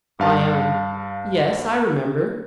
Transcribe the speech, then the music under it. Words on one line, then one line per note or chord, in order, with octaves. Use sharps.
ION: Yes, I remember.
G2 F5 A5